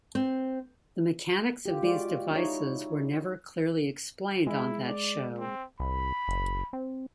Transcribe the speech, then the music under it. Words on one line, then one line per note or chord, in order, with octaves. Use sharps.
The mechanics of these devices were never clearly explained on that show.
C4
F4 G4
G#3 F4 F#4 D5
D#4 E4 C#5
G#3 E4
D5
C4
C2 B5
F#1
C4